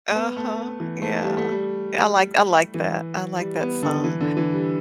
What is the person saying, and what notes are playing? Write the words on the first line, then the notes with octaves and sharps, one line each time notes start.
Uh-huh. Yeah. Yeah, I like I like that. I like that song,
A3
B3
A3
E3
A3
G3
A3
G3
E3
G3
B3
D3
E3
D3
E3
G3